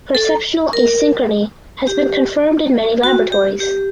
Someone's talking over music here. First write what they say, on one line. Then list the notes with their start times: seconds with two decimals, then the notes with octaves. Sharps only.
Perceptual asynchrony has been confirmed in many laboratories.
0.15 A4
0.73 A#4
1.87 G4
3.03 F#4
3.32 G4
3.60 G4